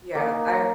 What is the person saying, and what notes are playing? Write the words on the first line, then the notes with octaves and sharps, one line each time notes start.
Yeah. I
A#3 D#4 D6